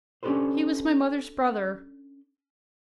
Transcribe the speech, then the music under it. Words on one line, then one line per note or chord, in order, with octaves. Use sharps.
He was my mother's brother.
C#4 D4 G4 A4 B4 C5